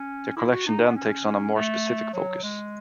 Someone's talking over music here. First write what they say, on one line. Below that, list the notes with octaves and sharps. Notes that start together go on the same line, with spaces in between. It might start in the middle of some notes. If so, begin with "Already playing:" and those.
Their collection then takes on a more specific focus.
Already playing: C#4
E4
F#4
D#4
B3
C#4
A3
F#3
G#3